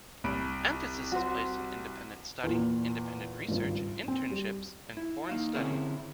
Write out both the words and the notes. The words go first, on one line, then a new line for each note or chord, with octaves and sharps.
Emphasis is placed on independent study, independent research, internships and foreign study.
C2 B5 D7
F#4 C5
E2 A#2
G#1 C#2 G2
C4
G3
E4
A#3 D#4 F5
D3 C4 C#4 E4 G#4 A#4